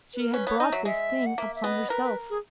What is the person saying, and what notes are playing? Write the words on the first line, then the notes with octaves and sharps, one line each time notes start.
She had brought this thing upon herself.
B4
A#4
C#4 B4
B3 C#5
D#4 D#5
F#3 E5
G#3 E5
F#5
A#3 E5
E5
B3 D#5
A#4 B4
B4
G#4